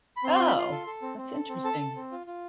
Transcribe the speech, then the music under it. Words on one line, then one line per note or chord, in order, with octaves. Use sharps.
Oh, that's interesting.
B5
C4 C6
C6
F4
B5
F4 C6
A4
A4
C4
C4
A4
C4
A4 A5
A4
C4
F4
F4